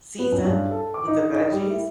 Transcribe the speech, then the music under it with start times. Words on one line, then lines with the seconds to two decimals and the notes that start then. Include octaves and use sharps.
seasoned with the veggies.
0.19 B3
0.32 F#2
0.44 G2
0.71 A4
0.94 D6
1.07 D#4
1.31 D#4
1.52 G3
1.70 E4